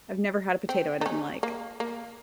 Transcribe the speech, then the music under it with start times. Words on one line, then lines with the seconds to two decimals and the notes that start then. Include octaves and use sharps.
I've never had a potato I didn't like.
0.69 C4
1.01 D#4
1.06 C#4
1.43 A#3
1.80 A#3